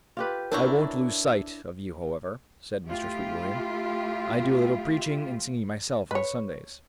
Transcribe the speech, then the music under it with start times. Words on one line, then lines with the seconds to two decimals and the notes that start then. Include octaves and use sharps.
"I won't lose sight of you, however," said Mr. Sweetwilliam, "I do a little preaching and singing myself on Sundays."
0.17 F4 G4 B4
0.52 D4 E4 A#4 C#5 A#5 C#6
2.90 A3 E4 F4 G4
6.11 B4 C#5